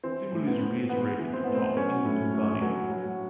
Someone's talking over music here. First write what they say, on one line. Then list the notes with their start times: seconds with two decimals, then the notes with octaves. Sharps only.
The symbol is reiterated atop in the tympanum.
0.03 E3 C4
0.32 A2
0.47 B3
0.61 A2
0.89 E3 B3
1.19 E3
1.33 C4
1.44 A2 B3
1.54 C4
1.77 F#3 C#4
2.05 A2
2.34 A2
2.62 F#3
2.91 F#3